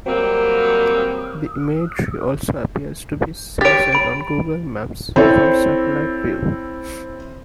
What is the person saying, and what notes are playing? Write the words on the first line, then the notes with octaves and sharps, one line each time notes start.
The imagery also appears to be censored on google maps from satellite view.
F#3 G3 A#3 C4
G4 C#5 A6 D7
B5 D7
C4 E4 A4 C#5